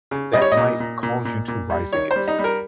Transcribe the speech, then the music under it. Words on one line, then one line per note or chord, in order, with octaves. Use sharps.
that might cause you to rise against me.
C#3
G3 D#5
C#5
D#5
A#2
A#2
A#2
A#2
A#2
G3
D#3 C#5
C5
G3
D#4
G3
A#4